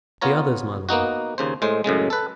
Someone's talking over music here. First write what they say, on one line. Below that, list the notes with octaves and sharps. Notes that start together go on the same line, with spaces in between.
"The others, my lord!"
B3 F4 C#5 A#5
A#3 B3 D#4 F#4
D#2 C#3 C5
A2 G#3 C5
F#2 A2 C#3 G#3
A4 B4